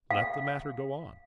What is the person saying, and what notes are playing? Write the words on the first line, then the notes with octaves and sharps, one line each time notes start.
Let the matter go on.
F5